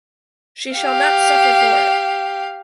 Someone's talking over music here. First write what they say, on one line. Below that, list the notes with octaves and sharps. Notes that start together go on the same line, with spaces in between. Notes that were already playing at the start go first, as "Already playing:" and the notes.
She shall not suffer for it!
G4 F5